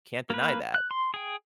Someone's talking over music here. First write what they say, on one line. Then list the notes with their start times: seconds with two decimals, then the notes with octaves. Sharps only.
Can't deny that,
0.30 A#3 B4
0.74 F#6
0.91 C6
1.14 G#4 G5